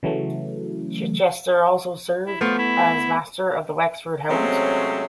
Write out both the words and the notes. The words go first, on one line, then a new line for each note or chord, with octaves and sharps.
Chichester also served as master of the Wexford Hounds.
C#3 E3 F#3 A3
E4
F3 A3 B3 C5
E4
C3 F#3 G#3 A3 C4 C#4